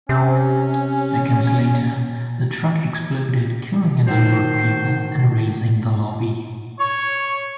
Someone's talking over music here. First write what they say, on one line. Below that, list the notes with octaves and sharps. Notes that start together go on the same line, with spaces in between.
Seconds later, the truck exploded, killing a number of people and razing the lobby.
C3 C#4
A2 D#3 D#4 F#4 C5
C#5 C#6